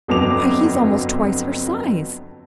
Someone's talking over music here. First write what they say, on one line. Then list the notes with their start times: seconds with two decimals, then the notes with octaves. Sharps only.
"Why, he's almost twice her size."
0.08 G1 F2 F#3 B3 D6 F7